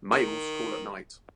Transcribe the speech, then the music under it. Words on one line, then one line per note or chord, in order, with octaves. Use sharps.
Males call at night.
D#3